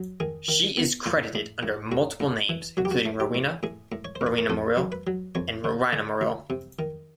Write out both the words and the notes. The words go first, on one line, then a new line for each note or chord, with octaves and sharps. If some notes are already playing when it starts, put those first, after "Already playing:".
She is credited under multiple names, including Rowena, Rowena Morrill, and Rowina Morril.
Already playing: F#3
D#3 G#4
D#3
B3
A2 F4
A2
A2
A2 F#4
A2
E3
F#3 F#4
G4
F#4
A3
G4
A2
A2 G#4
A2
C#5
C5
A2
B4
A#4
F2 A4
F#3
B4
F#3
F2 C#5
D3
D3
D2
C3
D#3